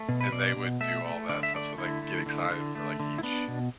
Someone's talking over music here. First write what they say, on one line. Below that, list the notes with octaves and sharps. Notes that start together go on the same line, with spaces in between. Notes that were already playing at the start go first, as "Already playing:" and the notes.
And they would do all that stuff, so, like, get excited for, like, each
Already playing: A3
B2
B4
B2 D5
B2
A3 E5
A3
D3 D5
E5
A3 D5
D3 E4
A3
D3
D3
A3
D3
E4
B3 D4
B2